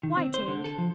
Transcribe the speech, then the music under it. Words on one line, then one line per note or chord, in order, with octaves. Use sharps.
"Why, Tink?"
D#3
C4
C5
D3
A4
F3